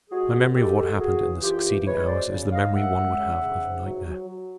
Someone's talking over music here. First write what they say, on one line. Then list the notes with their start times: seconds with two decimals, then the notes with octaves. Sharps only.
My memory of what happened in the succeeding hours is the memory one would have of nightmare.
0.11 G#3 F#4 G#4
0.33 F#2
0.54 G#3 G4 A4
0.77 F#2
0.98 C#3 F#4 G#4
1.21 E3
1.43 F#2 F4 G4
1.65 E3
1.86 G#3 B4 C#5
2.08 F#2 C5 D5
2.30 C#3
2.52 G#3 D#5 F5
2.74 F#2 E5 F#5
2.96 G#3
3.17 C#3
3.40 C#3
3.62 G#2
3.84 F#3
4.05 F#3
4.28 F#3